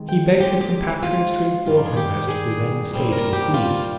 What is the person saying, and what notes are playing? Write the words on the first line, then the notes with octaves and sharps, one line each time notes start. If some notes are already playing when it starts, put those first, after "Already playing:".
He begged his compatriots to inform him as to the then state of Greece.
Already playing: C3 D#3 G#3
G5
D#3 G#3 C4 G4
G4
F4
G2 D#3 G3 F4
G#4
G4
G#4
A#2 G3 C4
A#4
G4
F4